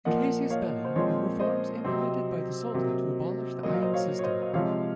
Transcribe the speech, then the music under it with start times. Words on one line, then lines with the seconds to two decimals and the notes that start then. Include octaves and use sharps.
The "casus belli" were reforms implemented by the Sultan to abolish the ayan system.
0.05 A#2 F3 A#3 D#5 F#5
0.50 C#5 F5
0.85 C5
0.96 A#2 F3 G#3 C4 C#5
1.40 C5 D#5
1.84 C3 F#3 C4
2.74 C3 F#3 A#3
3.63 A#2 F#3 A#3 D#5
3.73 F5
3.82 C5 D#5
3.93 C#5 F5
4.19 C#5
4.24 C5 D#5
4.42 D#5
4.53 C3 F3 G#3 C#5 F5